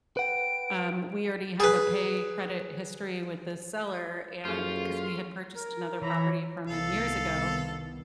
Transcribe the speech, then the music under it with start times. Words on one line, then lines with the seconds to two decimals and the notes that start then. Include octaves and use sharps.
um, we already have a pay credit history with the seller and 'cause we had purchased another property from him years ago,
0.17 B4 F#5 G5 D7
1.60 G#4 B4
4.45 F#2 A#3 C#4 F4 G#4 A4 C5
5.55 A#4
6.02 E3 C#5 E5 A#5 B5
6.68 C2 D#3 B3 A4 F5